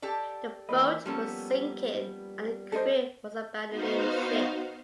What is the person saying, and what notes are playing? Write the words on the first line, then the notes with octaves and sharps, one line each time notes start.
The boat was sinking and the crew was abandoning ship.
G4 A4 D5
E3 A#3 B4 D#5
F3 G3 A#3 B3 C#4 A4
D4 A4 C5 D#5
B3 D#4 F#4 C5 F5